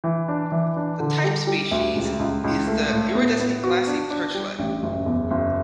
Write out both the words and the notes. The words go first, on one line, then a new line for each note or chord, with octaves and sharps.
The type species is the Iridescent glassy perchlet.
E3
D4
E3
D4
D3
G3
G3
D2
C#2
C#2
C#2
A3
A2
B3
B3
F#4
D4
D4
G3
A1
F#1
E2
F#1